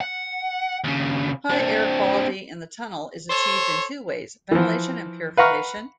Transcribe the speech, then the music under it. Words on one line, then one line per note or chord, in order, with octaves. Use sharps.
High air quality in the tunnel is achieved in two ways: ventilation and purification.
F#5
D#2 C#3
C4 D4
A4 C5 C#5
E3 F3
B4 F5 F#5 A#5 C#6 F6